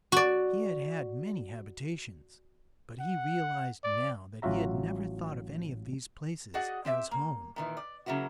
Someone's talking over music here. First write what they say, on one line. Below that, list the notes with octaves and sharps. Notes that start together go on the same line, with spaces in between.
He had had many habitations, but he realized now that he had never thought of any of these places as home.
F#4 D5
F#5
D5
A1 F#3 F4 F#4 E5 A#5
F#4 G#4 D5 D#5 F#5
C4 G4 E5
A#3
A#2 D#3 E3
D5
C#3 F#3 A#3 E4 F#4